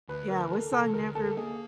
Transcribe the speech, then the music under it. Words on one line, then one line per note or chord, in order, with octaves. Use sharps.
Yeah, what song never
D2 B4
D2 A#4
E3 A4
C3 A4
D2 A#4
D2 A4
A#3 G#4